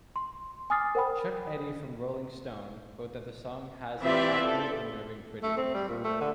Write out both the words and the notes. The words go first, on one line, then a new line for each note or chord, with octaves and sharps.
Chuck Eddy from "Rolling Stone" wrote that the song "has an aptly unnerving prettiness".
C6
G#5 D6 D#6 F6 A6 C7
A#4 C5 F#5 G5 B5 D#6
E3 C4 F4 G4 D5 E5
C4 A4
A3
C4
G3
A#2
A3
D3